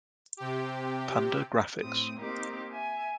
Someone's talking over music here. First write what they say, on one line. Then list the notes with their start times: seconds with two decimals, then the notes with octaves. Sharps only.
Panda Graphics.
0.37 C3 G4
1.78 A2 A3 C4 D#6
2.19 A#3 C4 D#4 G4 A#4
2.69 E5 G#5